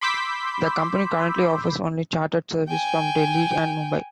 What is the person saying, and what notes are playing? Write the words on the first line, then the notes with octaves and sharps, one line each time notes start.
The company currently offers only charter service from Delhi and Mumbai.
B5 C6 D6 E6 G6 B6
G5 G#5